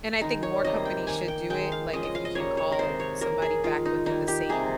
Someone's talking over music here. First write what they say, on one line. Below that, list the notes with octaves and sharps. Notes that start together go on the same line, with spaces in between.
and I think more companies should do it, like, if you can call somebody back within the same
D#3 G#3 D#4
C#5
C3 G3 A#3 D#5
G5
D#3 A#3 G#5
G5
D#3 G#3 G5
F5
C#3 F3 G#3 D#5
D#5
F5
D#5
C#3 G3 A#3 C#5
C#5
A#4
C3 D#3 G#3 C5
C#5
D#3 A#3 A#4
G#4
D#3 G#3 F4
D#4
D#3 G3 A#3 D#4
G4
C3 G3 A#3 G#4